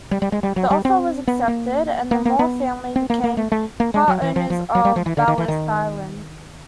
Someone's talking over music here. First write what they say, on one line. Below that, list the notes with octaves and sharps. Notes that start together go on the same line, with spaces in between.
The offer was accepted and the Moore family became part owners of Ballast Island.
G3
G3
G#3
G3
F#3
G3
C4
B3
A#3
A#3
A#3
B3
C4
A#3
A#3
A3
A3
A#3
G#3
F#3
E3
F3
F3
F#3
G3
F3
E3
D3
D#3
E3
D#3